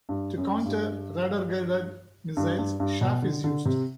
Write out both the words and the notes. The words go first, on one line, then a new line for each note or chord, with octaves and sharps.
To counter radar-guided missiles, chaff is used.
G2
F#2
G2
G2
G2
G2
B2
D3
D3
C3